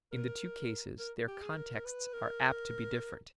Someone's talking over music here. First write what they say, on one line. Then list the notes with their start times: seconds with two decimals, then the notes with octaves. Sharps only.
In the two cases their contexts are apt to be different.
0.12 A#4
0.99 A#4
1.27 G4
1.41 G#4
1.56 A#4
1.85 B4
2.13 A#4